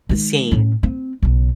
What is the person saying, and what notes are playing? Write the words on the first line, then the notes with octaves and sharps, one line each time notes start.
the same
D#3 G#3
A2 C#4
C4
B1 C#3